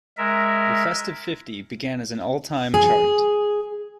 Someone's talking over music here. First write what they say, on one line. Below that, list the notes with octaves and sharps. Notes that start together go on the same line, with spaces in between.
The Festive Fifty began as an all-time chart.
G#3 A#4 E5
G#4